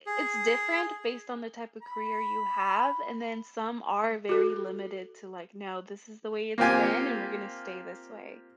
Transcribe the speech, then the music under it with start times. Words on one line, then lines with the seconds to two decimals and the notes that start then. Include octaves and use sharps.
it's different based on the type of career you have, and then some are very limited to, like, "No, this is the way it's been, and we're gonna stay this way."
0.06 G#4
1.82 B5
4.29 F#4 A4
6.58 A#3 C4 F4 G4 G#5